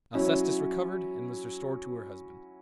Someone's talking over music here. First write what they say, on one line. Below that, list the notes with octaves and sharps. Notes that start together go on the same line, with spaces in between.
Alcestis recovered, and was restored to her husband.
F#3 C#4 E4